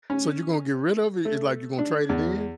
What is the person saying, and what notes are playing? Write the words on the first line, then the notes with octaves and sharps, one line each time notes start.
So you're gonna get rid of it? It's like you gonna trade it in?
C#4
A3
D4
E2